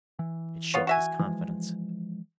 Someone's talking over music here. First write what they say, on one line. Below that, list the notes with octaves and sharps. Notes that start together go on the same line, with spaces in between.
It shook his confidence.
E3
B3 F4 C#5
F#4 E5 G#5
E3 F3 G#3